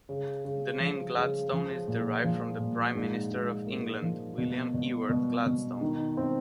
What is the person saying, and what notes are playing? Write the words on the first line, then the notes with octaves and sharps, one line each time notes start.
The name Gladstone is derived from the prime minister of England, William Ewart Gladstone.
C#3
C#3
F3
C#3
F3
A#2
F3
A#2
G#2
G#2
A#3
F3
B2
B2
B2
B2
D#3
C4